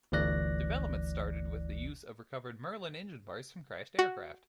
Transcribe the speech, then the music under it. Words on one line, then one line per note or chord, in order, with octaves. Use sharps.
Development started with the use of recovered Merlin engine parts from crashed aircraft.
G1 D2 E3 D5 F#6 A#6
F#4